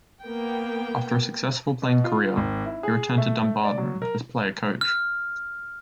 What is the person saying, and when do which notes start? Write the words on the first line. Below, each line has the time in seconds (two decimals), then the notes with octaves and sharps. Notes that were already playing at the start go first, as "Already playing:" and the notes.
After a successful playing career, he returned to Dumbarton as player-coach.
0.23 A#3 B3 G5
1.82 B2
2.04 F4
2.37 G#1
2.65 E4
2.83 G#4
3.18 A3
3.64 D5
3.78 F#3
4.02 A#4
4.81 F6